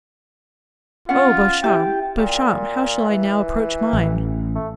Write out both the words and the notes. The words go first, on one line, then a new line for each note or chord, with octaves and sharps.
Oh, Beauchamp, Beauchamp, how shall I now approach mine?
C#4 F4 F#5
E4 G4 E5 G5
A#2
E3
A1
A3